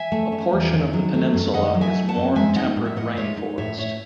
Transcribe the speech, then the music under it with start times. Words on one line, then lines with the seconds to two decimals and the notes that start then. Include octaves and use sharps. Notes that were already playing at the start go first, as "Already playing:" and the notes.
A portion of the peninsula is warm temperate rainforest.
Already playing: E5 G#5
0.12 A3
0.32 C#4
0.53 E2
0.73 D#3
0.93 F#3
1.14 A3
1.34 F#2
1.54 D#3 D#5 F#5
1.74 F#3
1.81 E5 G#5
1.95 A3
2.08 F#5 A5
2.16 F#2
2.35 G#3 E5 G#5
2.56 D#4 D#5 F#5
2.76 A2
2.85 E5
2.96 A2 D#5 F#5
3.16 G#3 C#5 E5
3.37 D#4
3.58 A2 C#5 E5
3.78 A2 C#5 E5